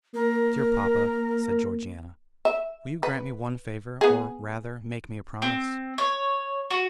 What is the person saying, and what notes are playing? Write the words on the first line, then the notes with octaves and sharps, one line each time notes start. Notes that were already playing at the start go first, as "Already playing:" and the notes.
"Dear papa," said Georgiana, "will you grant me one favour; or, rather, make me a promise?"
A#3 A#4
E5
B4
B3 G#4
C4
C#5
F#4